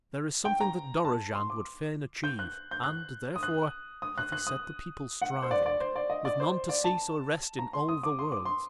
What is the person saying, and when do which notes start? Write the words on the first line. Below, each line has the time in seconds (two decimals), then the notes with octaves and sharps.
There is something that Dorozhand would fain achieve, and, therefore, hath he set the people striving, with none to cease or rest in all the worlds.
0.45 G5
0.61 A#5
1.05 A5
1.35 C6
1.50 D6
2.24 G6
2.39 F#6
2.71 G6
2.84 F#6
3.36 D#6
3.43 F#6
4.02 D#6
4.18 F#6
4.32 F#6
4.47 D#6
5.22 F#5
5.42 C5
5.51 D5
5.66 D5
5.80 C5
5.96 D5
6.10 D#5
6.25 D5
6.40 C5
6.69 D5
6.84 A5
7.59 A#5
7.73 C6
7.89 D#6
8.03 D6
8.19 C6
8.32 D6
8.45 C6